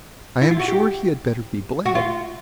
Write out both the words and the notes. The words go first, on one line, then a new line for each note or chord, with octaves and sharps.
I am sure he had better be bled.
E4
F4
F#4
G4
F#4
F4